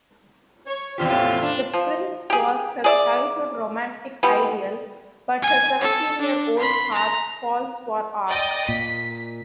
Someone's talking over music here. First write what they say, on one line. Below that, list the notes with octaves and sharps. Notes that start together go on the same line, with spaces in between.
The prince was her childhood romantic ideal, but her seventeen-year-old heart falls for Arc.
C#5
E2 C3 C4 D4 F4 G4
A2 C#4 F4
D4
F3
G4 G#4
G#4 D5 E5
E3 G3 B3
G#5
A4
D4
B5 C6
A#5
D5 D#5 G5
A#2 B6